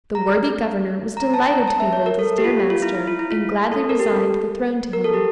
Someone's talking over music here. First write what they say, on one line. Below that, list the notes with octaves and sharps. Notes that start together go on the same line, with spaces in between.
The worthy Governor was delighted to behold his dear master, and gladly resigned the throne to him.
A#5
A#5
A5
A#5
A5
E5
C#5
A#4
A4
G4
F4
F4
E4
E4
F4
E4
F4
A4
A#4
G4
A4
A#4
A4
G4